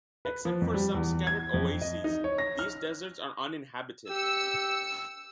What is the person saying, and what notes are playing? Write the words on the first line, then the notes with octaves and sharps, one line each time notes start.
Except for some scattered oases, these deserts are uninhabited.
B4
F3
F2
G3
E2
G#6
F2
D#5
D#4
C#5
A#6
F6
G4 E6 C#7